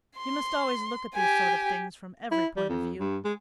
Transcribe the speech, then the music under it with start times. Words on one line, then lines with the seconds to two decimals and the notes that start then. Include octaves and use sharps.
You must always look at these sort of things from every point of view.
0.17 C6
1.15 G4 G#5
2.31 E4
2.57 G3
2.69 F2
3.00 G2
3.25 G#3